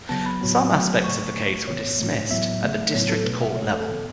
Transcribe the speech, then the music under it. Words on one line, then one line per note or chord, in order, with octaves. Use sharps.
Some aspects of the case were dismissed at the District Court level.
C#3 F#3 B3 A5
B5
A2 F#3 B3
C#3 F#3 A3
A2 A3 C#6
C#3 A3
A2 E3 B3 C#5
A2 E3 A3
A2 F#3 B3 E5
C#3 A3
A2 F#3 B3 C#5
A4
B2 A3 B4
E5
C#3 A3 C#5
A4
A2 E3 B3 A4